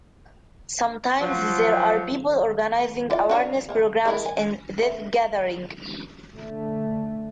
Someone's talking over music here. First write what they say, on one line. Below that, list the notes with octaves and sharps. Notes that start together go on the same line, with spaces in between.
Sometimes there are people organizing awareness programmes in this gathering.
F3 F#3
E4 F4 D5
D4 F#4 C#5
A#3 E5 A#5
G#3 E4 A#4
G#5
A3
D3 A3